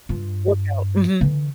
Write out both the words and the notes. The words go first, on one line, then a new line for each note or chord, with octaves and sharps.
workout? Mhm.
G2 F4
D3 E3